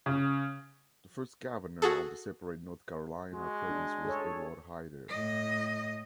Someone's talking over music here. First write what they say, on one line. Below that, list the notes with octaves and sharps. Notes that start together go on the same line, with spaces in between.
The first Governor of the separate North Carolina Province was Edward Hyde.
C#3
F#4 G#4 A4
G#3 F#4
D4
G#4 A4 C#5
A2 D#5